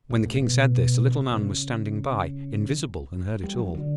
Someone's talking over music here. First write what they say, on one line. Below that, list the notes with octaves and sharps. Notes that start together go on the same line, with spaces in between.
When the King said this, the Little Man was standing by, invisible, and heard it all.
A2
A2
B2
B2
C#3
G3
F#3
D3